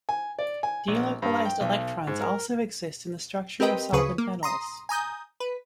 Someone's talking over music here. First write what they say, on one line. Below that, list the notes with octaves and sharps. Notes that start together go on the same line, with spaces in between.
Delocalized electrons also exist in the structure of solid metals.
G#5
D5
G#5
A#1
G2
G5
B1
G#2
A#4
C4 G4 A#4 B4 D#5 G5
D2 C#3 G#4 B4 C#6 D#6
A#3
A#5 C6 D#6
G#5 A#5 D#6 G6
B4